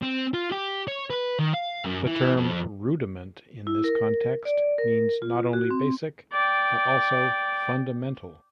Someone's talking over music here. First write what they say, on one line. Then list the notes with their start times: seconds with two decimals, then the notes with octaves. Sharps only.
The term "rudiment" in this context means not only "basic", but also "fundamental".
0.03 C4
0.34 F4
0.52 G4
0.88 C#5
1.10 B4
1.39 D#3
1.54 F5
1.84 F#2
2.07 E3
2.37 F2
3.67 E4
3.84 A#4
4.45 D5
4.78 A#4
5.22 F4
5.53 F#4
5.70 C4
6.33 D5 G5